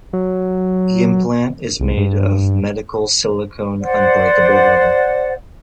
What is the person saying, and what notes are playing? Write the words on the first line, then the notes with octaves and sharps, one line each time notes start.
The implant is made of medical silicone unbreakable rubber.
F#3
C2
G2
C5 D5 F#5